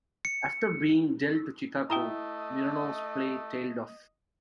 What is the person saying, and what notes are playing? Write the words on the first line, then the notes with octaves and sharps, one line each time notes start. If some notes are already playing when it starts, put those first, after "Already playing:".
After being dealt to Chicago, Mironov's play tailed off.
C#7
A3 E4 D#5 G5 A5 A#5 D#6 G7